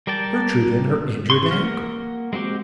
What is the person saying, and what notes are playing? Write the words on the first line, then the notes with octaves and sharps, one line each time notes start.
Gertrude and her injured ankle!
G3 A#4 D5 G5 A5
C6 C#6
A#3 F#5 F6
G#3 C4 F#4 G4